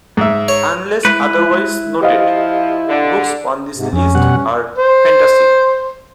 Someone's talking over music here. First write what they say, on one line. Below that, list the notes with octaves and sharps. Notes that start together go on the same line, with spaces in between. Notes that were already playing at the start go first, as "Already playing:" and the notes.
Unless otherwise noted, books on this list are fantasy.
G#2 E5
C#5
G#3 E4 B4
F3 G4 D#5 F5
D3
G#2 C3
F2 C#4
B2 G3 F#5
C5